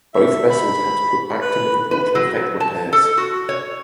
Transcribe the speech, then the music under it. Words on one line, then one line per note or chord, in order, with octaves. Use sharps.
Both vessels had to put back to Liverpool to affect repairs.
E5
B5
B4
B4
F#3
A5
A4
F#4
C#5